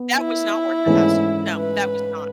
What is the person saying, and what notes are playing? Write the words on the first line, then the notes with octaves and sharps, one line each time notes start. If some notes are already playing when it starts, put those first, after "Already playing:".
That was not worth the hassle. No. That was not.
Already playing: B3
E4
G#2 E3 A3 C#4 G#4
B4